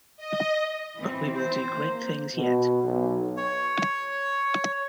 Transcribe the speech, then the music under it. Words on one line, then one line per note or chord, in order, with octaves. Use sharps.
But we will do great things yet!
D#5
E3 C4
C5
A#3
B2
B1
C#5